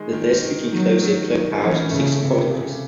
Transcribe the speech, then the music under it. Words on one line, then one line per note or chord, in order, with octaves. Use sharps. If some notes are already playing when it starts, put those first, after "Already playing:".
The district includes the Club House and six cottages.
Already playing: D#3 G#3
D#3
D#3
D#3 F#3
D#3 F#3
D#3
E3 C#4
C#3 A3
C3 A3
C#3